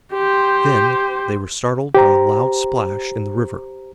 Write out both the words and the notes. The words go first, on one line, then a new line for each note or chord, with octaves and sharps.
Then they were startled by a loud splash in the river.
G4 C5
G4 C5 A#5